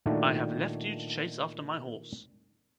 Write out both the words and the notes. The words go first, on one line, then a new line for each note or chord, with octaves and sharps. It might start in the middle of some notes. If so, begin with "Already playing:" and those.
I have left you to chase after my horse.
A#2 D#3 A3 D4 F#4